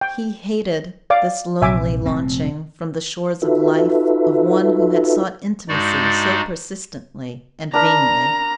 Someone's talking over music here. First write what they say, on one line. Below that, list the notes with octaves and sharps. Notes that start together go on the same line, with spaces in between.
He hated this lonely launching from the shores of life of one who had sought intimacy so persistently and vainly.
G5
D5 F5 D6
A#1 C3 E5 G#5 D6
F1 A#2 C4
D#4 F4 F#4 A4 B4 E5
G2 G#3 D#4 F#4 D5
D4 A#4 A#5 B5